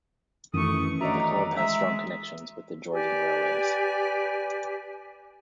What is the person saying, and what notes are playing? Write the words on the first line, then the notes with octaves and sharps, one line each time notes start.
The club has strong connections with the Georgian Railways.
F#2 D#3 E3 A3 C#6 D#6
A3 D4 F#4 C#5 D#5 E5 A#5
G#3 E5
G4 B4 D5 G#5